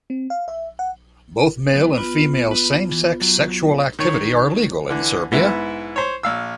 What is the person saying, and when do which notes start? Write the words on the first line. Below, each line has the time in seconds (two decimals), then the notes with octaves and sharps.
Both male and female same-sex sexual activity are legal in Serbia.
0.10 C4
0.30 F5
0.48 E5
0.79 F#5
1.73 F#3 B3
1.98 B3 F4 B4
2.51 B4
2.89 E2 E3
3.21 F#3
3.99 D#3 C#5
4.90 D3 E3
5.32 G#2 B3 E4
5.96 C5 C#5
6.23 A#1 F5 E6